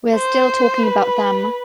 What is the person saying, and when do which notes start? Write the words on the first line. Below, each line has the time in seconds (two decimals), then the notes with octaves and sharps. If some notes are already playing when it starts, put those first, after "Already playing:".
We are still talking about them.
0.15 C5
0.83 B4